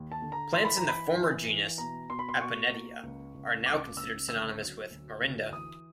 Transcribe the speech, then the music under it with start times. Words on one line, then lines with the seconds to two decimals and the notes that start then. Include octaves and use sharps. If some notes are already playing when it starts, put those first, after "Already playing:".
Plants in the former genus "Appunettia" are now considered synonymous with "Morinda".
Already playing: D#2
0.12 A5
0.22 D3
0.32 A#5
0.53 E3 C6
0.65 B5
0.77 A#5
0.84 E3 B5
1.15 E3
1.47 E3
1.78 B2 A#5
2.09 B2 C6
2.19 B5
2.29 C6
2.41 B2 C#6
2.72 A#3
3.03 C#2
3.34 C#2
3.66 C#2 D6
3.96 C#2 E6
4.28 D3 E6
4.60 F#3
4.90 D2
5.21 D2
5.52 E3 D#6